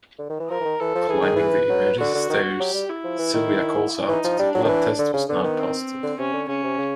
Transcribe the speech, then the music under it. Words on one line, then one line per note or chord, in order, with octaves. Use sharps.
Climbing the emergency stairs, Silvia calls out that the blood test was not positive.
D3
D#3
E3
F3 A#4
E3
D#3
E3 A4
F3
E3 G#4
D#3
E3 B4
F#3
D3 F#4
D3
D#3
F#3 G4
G3
E4
F3
E3
D#3
E3 D#4
F3
G3 D4
F#3
D#3
E3
D3
C#3
D3 B3
D#3
C4
D3
C3 C#4
D3
C#3 C#4
C3
C#3